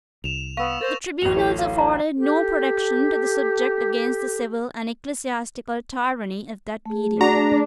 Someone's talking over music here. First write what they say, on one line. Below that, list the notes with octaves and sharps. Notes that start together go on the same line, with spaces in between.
The tribunals afforded no protection to the subject against the civil and ecclesiastical tyranny of that period.
C2 E7 F7
B3 F5 C#6 E6
A#4 C5 A6 A#6 F7
D1 A1 F7
E4 A4 C#5
F5
A#5
G4 A4
A3 G#4
D4 F#4 A#5